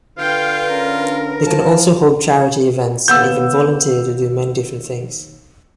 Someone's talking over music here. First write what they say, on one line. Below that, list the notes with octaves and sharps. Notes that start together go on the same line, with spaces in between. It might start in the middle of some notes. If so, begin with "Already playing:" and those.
They can also hold charity events and even volunteer to do many different things.
D3 F4 B4 F5 G5
C#4 A#4
F3 A5
D#2 B3 E6 G6